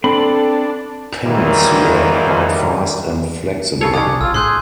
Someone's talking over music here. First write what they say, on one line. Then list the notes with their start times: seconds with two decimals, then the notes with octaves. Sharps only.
Pinks were quite fast and flexible.
0.04 C4 D4 A4 B5
1.24 G#2 D#3 E3 F#3 G3 A#3
3.81 C#3 F4 A4 C#5
3.94 F2 C#3 D4 D#6 G#6
4.07 C3
4.21 A#1 F4 E6
4.34 A2 G#4 C6 F#6 G6